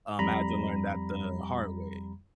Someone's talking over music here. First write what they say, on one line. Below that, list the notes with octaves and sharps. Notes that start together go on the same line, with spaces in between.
um, I had to learn that the hard way.
F2 G3 A#5 B5